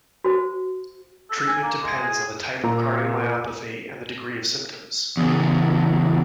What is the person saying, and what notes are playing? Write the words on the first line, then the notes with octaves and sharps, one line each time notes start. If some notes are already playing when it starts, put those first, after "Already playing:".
Treatment depends on the type of cardiomyopathy and the degree of symptoms.
F#4 C5
A4
G#5
A#3
G#3
G#4
A#2 A#5
E2 C#3